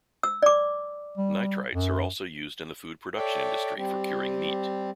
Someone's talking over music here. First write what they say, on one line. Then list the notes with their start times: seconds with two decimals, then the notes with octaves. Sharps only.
Nitrites are also used in the food production industry for curing meat.
0.23 E6
0.42 D5 D6
1.17 G3
1.74 F#2
3.17 A4 C#5 D5 E5 G5
3.77 G3 C4 G4